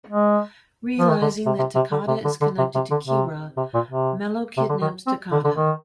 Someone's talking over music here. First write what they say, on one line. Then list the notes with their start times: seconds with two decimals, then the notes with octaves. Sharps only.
Realizing that Takada is connected to Kira, Mello kidnaps Takada.
0.09 G#3
0.99 F3
1.09 D#3
1.22 D3
1.46 C3
1.59 C3
1.75 C3
1.92 D3
2.08 C3
2.25 D3
2.41 D3
2.58 C3
2.75 C3
2.91 D3
3.08 C3
3.57 C3
3.74 A#2
3.91 C3
4.57 C3
4.69 D3
4.81 D#3
5.07 C4
5.32 D3
5.44 D3
5.56 D#3